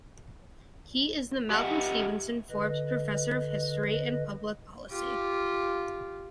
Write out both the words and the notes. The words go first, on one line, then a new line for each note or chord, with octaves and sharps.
He is the Malcolm Stevenson Forbes Professor of History and Public Policy.
G4 D#5 E5 F#5
D3 B4 D#5
F4 G4